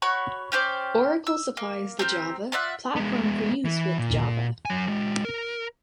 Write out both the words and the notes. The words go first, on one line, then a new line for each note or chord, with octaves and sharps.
Oracle supplies the Java platform for use with Java.
F#4 C#5 B5 C#6
C#4 G4 C5 D5
E6
A#3
C4 G4 A#4
F4 D5 E5 F#5
G#3 B3
E3
A#2
F#3 G#5
G#3 F#4
A#4